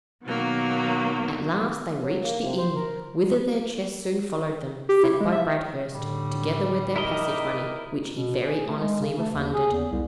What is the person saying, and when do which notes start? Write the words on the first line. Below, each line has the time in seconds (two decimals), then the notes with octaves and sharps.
At last they reached the inn, whither their chests soon followed them, sent by Bradhurst, together with their passage money, which he very honestly refunded.
0.23 B2 D#3 F#3 A#3
2.02 F#3
2.23 A#3
2.42 C3
2.58 C5
2.76 A#4
4.89 G4
5.03 E4
5.21 G#3
5.32 E5
5.93 A2 D3 G3
6.96 D#4 E4 A#4 D#5
8.12 B2
8.45 G#4
8.66 A3
8.79 G#3
9.01 C#3
9.18 A3
9.33 D#2
9.54 G#4
9.72 E2
9.92 C2